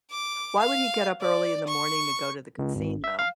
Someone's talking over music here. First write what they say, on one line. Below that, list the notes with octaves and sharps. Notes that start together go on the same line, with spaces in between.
Why would he get up early in the morning to go to the casino?
D6
F5
D5
C#6
C#2
G#1
E5
F5